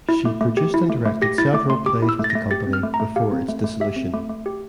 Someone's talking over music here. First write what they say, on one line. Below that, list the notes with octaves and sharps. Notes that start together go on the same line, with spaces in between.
She produced and directed several plays with the company before its dissolution.
E4
A3
A3
G4
E4
A3
A3
G4 A#6
E4 A6
A3 D6
A3 C6
G4 D6
E4
E6
A3 A6
A#6
A3
G4 A6
C4
F6
A3
A#5
A3
G4 F5
C4
A3
A3
G4 E5
C4
A3
A3
G4